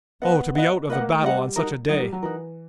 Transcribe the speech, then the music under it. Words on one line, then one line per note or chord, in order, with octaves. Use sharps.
Oh, to be out of the battle on such a day!
B3 B4 D#5 F#5
B4 D#5 F#5
A#3 B4 D#5 F#5
A#3
A3
G3 B4 D#5 F#5
D#4 F#4 A#4
F#3 D#4 F#4 A#4
G3
F#3
E3 D#4 F#4 A#4